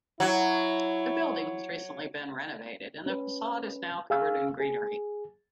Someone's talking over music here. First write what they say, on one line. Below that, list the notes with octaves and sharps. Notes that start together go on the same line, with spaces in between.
The building has recently been renovated and the facade is now covered in greenery.
F#3 E4
C#4 B4
G#4 F5 E6
G#4